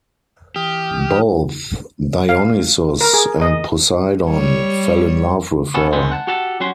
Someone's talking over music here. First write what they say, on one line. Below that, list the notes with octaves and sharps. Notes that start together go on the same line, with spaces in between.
Both Dionysus and Poseidon fell in love with her.
E3 G4 D#6 F6
F5
A#4
G#4
D#5
G3 C#5
B3 C#4 A4
G#2 D#3 G#3 B3 C4
F#5 A5
F#4 G4 A4 F#5 A5
F#3 C#4 F#4 G4 C6